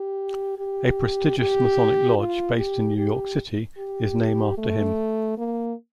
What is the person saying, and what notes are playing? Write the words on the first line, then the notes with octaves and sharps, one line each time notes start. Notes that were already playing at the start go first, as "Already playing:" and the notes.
A prestigious masonic lodge, based in New York City, is name after him.
Already playing: G4
G4
G4
F4
G4
G4
G4
A3
A#3